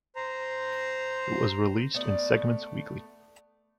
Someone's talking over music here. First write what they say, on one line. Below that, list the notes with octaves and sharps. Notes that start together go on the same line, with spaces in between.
It was released in segments weekly.
C5 A#5
A3 B3 D5